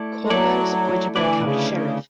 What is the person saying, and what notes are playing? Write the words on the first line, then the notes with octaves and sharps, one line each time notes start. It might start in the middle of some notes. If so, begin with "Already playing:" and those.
Coleman was appointed by the county sheriff.
Already playing: A3 E4 A4 D5
G#3
F#3 A3 E4 A4 D5
D3 E3 A3 E4 B4 D5
B2
C#3
C#3